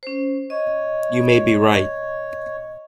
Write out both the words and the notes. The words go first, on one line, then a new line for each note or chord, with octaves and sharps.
You may be right.
C#4 C5
C#5 D#5